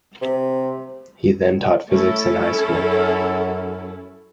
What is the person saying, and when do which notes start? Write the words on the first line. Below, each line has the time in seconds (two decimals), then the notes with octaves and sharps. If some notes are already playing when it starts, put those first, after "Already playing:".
He then taught physics in high school.
0.21 C3
1.89 A3 C#4 E4 A4
2.67 F#2